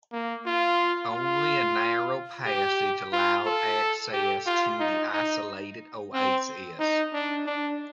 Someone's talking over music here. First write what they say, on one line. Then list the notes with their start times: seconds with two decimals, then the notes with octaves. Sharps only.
Only a narrow passage allowed access to the isolated oasis.
0.12 A#3
0.46 F4
1.12 F4
2.46 G4
3.13 F4
3.46 A4
4.13 G4
4.46 F4
4.79 D#4
5.13 D#4
6.13 C4
6.79 D#4
7.13 D4
7.46 D4